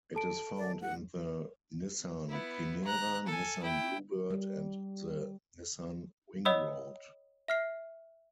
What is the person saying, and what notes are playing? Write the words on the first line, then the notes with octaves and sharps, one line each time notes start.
It is found in the Nissan Primera, Nissan Bluebird, and the Nissan Wingroad.
A4 A5 D7
D5
F#5
B3 E4
A#5 F#6
A4 G#5
E4 G5
G3
C#5 D#5 F#5 B5 D#6 E6
E5 F6 C7